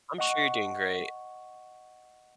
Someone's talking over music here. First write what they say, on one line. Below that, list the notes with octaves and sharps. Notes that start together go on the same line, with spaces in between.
I'm sure you're doing great.
D#5 F#5 C#6